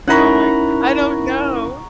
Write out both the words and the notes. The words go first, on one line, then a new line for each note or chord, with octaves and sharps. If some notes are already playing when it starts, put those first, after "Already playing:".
Oh my g I don't know.
C#4 D#4 E4 A#4 F#5 A#5 B5 C#6